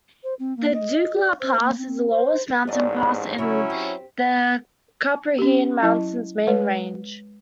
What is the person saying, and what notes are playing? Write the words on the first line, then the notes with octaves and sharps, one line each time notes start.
The Dukla Pass is the lowest mountain pass in the Carpathian Mountains main range.
C5
C4
A#3
D#5
D5
C5
A#3
C4
C5
A1 G#2 D5 D#5
C#3 F#3 C#4 E4 C#5
C4 G4
C#4 G4
F#3 E4 D#5 A5
G#3 B4 C#5